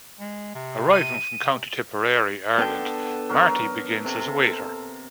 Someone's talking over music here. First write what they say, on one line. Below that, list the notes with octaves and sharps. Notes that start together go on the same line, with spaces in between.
Arriving from County Tipperary, Ireland, Marty begins as a waiter.
G#3
C3
D#7
C3
D3 B3 A4 G5
F#3 A#4
C3 A4